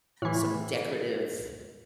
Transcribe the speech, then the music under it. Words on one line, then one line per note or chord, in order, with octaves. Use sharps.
some decorative
A2 E3